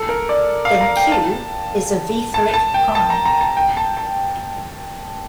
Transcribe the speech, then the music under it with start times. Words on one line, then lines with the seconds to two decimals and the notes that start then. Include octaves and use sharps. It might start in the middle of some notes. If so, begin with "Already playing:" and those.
Then "q" is a Wieferich prime.
Already playing: A4
0.09 A#4
0.29 D5
0.65 F5
0.81 A#5
0.97 G5
1.12 A5
2.34 A5
2.54 A5
2.74 G5
2.95 A5
3.10 A#5
3.26 A#5
3.41 A5
3.57 G5
3.77 A5
3.97 A5